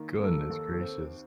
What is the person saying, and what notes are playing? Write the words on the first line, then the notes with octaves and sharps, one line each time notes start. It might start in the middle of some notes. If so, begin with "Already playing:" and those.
Goodness gracious.
Already playing: D#3 A#3
A#3 A4
D#2
C4